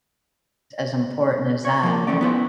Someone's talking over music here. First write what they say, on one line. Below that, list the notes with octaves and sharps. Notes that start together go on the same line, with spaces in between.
as important as that.
C#5
F3 A#3
E3 A3 C#4 D5
B3 E4 C5